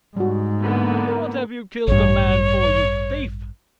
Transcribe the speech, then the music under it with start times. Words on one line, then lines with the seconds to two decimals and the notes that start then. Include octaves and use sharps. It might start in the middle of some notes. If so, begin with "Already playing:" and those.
"What have you killed a man for, you thief?"
0.17 G#2 G3 F#4
0.62 D3 A#3 B3
1.07 A#4
1.88 A1 G2 C#5